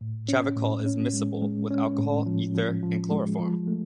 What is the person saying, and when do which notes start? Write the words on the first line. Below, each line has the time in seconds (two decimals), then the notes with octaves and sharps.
Chavicol is miscible with alcohol, ether, and chloroform.
0.01 A2
0.29 C#4
0.57 A2
0.86 C#4
1.14 G#3
1.42 G#3
1.70 C#4
1.98 A2
2.26 F3
2.55 F3
2.83 F3
3.11 G#3
3.39 F3
3.68 A3